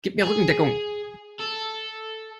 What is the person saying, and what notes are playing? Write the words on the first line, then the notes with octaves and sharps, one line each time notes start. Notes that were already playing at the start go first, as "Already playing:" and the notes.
Gib mir Rückendeckung.
G#4
A4